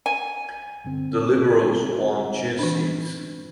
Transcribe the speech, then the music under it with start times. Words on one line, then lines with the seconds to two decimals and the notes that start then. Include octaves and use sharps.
The Liberals won two seats.
0.06 G#5
0.85 G2 D3 C4
2.59 E3 D4